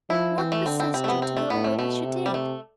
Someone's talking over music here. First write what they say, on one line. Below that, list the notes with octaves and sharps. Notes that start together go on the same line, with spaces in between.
What possessed you to go away as you did?
F3 E4
E3 C4
A3
D3 C4
C4
C3 C4
A3
B3
C4
A3
A2 B3
A3
B2 A3
C3
G3
A3